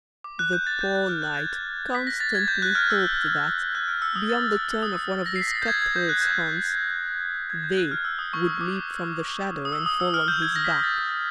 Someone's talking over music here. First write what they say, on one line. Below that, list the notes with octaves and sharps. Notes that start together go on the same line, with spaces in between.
The poor knight constantly hoped that, beyond the turn of one of these cut-throats' haunts, "they" would leap from the shadow and fall on his back.
D6
F#6
G6
A6
G6
F#6
F6
F#6
G#6
B6
A#6
A6
G#6
G6
F#6
F6
E6
F#6
F6
E6
D#6
A6
F6
E6
D#6
E6
A#6
C7
B6
A#6
A6
G6
G#6
G#6
G6
F#6
G6
G#6
G6
F#6
F6
E6
D#6
C#6
D#6
D6
D#6
E6
D#6
E6
F6
G6
G#6
A#6
B6
A#6
G#6
A6
A#6